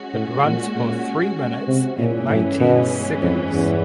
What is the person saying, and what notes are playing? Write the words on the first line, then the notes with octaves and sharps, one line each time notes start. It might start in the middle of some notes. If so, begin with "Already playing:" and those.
It runs for three minutes and nineteen seconds.
Already playing: G#3 C#4 F#4
A2
A#2
A#2
C3
G2 A#2 E3 G#3 C#4
A2
B2
F2
E2